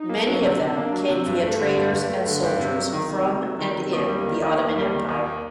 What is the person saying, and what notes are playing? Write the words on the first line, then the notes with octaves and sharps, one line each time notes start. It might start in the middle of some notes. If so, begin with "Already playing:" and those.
Many of them came via traders and soldiers from and in the Ottoman Empire.
Already playing: D#4
A#3
F#3 D4
C3
C3
A#3
F#3
C3
G2 D4
A3
D3 C4
G2
G2 A#3
A3
D3
G2
C3
F#3
D#3
C3
C3
F#3
D#3
C3
D#2 A#3
G3
D#3
D#2
D#2
G3
D#3
D#2